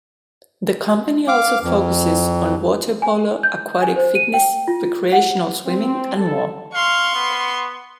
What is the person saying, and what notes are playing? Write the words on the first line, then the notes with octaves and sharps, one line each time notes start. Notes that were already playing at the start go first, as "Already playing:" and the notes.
The company also focuses on water polo, aquatic fitness, recreational swimming and more.
F5 D6
F2
G#5
G6
G#5
C5
D#7
G5
F4
F#5
C4
A4
F5 C6 C#6
B3